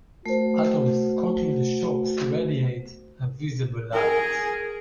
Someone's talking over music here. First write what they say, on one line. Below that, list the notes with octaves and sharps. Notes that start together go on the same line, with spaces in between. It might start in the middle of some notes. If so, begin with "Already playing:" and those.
Atoms caught in the shocks radiate a visible light.
A3 F#4 A#4 C5
G#4 A#4